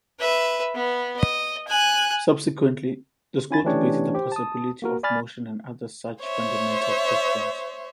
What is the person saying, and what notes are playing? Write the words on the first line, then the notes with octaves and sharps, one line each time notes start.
Subsequently, the school debated the possibility of motion and other such fundamental questions.
B4 E5
B3
D#5
G#5 F#6
C#4 E4 G#5 B5 A6
E3 A3 C#4 D4 G4 C#5
G4 C5
A5 D#6
A#3 F#4 A#4
D5 G#5 B5 F6 A6
C5 C#5 E5